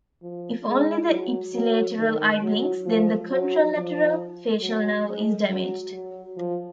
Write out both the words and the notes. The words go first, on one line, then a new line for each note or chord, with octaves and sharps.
If only the ipsilateral eye blinks, then the contralateral facial nerve is damaged.
F3
G#3
F#3
F#3
D#3
F#3
F3
F#3
F3
F#3
G#3
F#3
F#3
F3